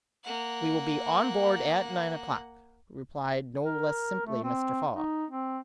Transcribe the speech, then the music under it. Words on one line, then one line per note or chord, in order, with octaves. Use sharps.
"We will be on board at nine o'clock," replied, no less simply, Mr. Fogg.
A#3 F#5
A#4
A3
C4
D#4
C4